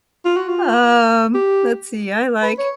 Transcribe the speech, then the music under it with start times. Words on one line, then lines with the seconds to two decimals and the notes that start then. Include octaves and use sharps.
Um, let's see, I like
0.25 F4
0.37 F#4
0.48 F4
1.34 G4
2.42 B4
2.58 C#5